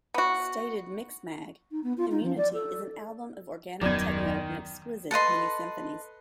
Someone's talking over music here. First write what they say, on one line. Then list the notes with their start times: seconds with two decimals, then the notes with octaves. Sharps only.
Stated "MixMag", "Immunity" is an album of organic techno and exquisite mini-symphonies.
0.14 B3 F#4
1.71 D#4
1.83 B3
1.97 F4
2.11 D#4
2.23 F3
2.37 D5
2.53 A4
3.81 D#1 F#2 D#3 B3 D5 G#6
5.11 A4 B4 D#5 C6